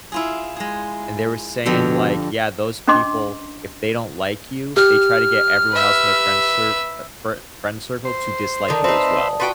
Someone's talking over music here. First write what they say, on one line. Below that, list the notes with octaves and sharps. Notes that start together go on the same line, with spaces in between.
and they were saying, like, yeah, those people, if they don't like you, they try to get everyone else in their friend cir uh, fri friend circle to dislike you as well.
E4 F4 G#4
G#3 G#4
F2 B2 D3 G4
C#4 D4 D#5 C6 D6
G4 F6
B4 E5
C5
D3 D#3 D5 A5 D#6
C4 D#4 B4 C5 E5
F4 F#4 B4 G5